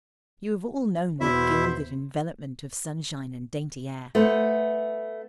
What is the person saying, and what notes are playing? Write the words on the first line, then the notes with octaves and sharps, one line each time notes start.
You have all known that gilded envelopment of sunshine and dainty air.
E2 B2 E4 C5 E5
A3 B3 C5